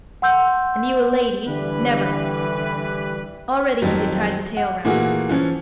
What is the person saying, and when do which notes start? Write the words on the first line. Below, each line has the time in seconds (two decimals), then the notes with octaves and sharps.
"And you a lady; never." Already he had tied the tail round her.
0.22 F#5 C6 E6 G6
1.47 D3 E3 G3 B4
3.82 F2 D#3 F#3 G3
4.57 F#5
4.85 A#2 E3 A3 A#3 F#4 G#4
5.29 E3 F3 C#4